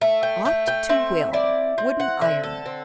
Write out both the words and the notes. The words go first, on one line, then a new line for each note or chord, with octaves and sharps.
"Ought to will!"--wooden iron!
A3 E5
G5
A3 G5
G5
C4 E5
E4 D5
C4
F#5
D3 E5
A4
C4